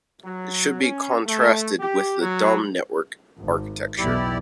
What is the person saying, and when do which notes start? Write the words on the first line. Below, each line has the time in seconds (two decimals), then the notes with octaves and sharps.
It should be contrasted with the dumb network architecture.
0.24 F#3
0.81 C#4
1.27 A3
1.80 G4
2.22 F#3
3.39 G#1
3.98 B1 E2 B2 E4 G4 D5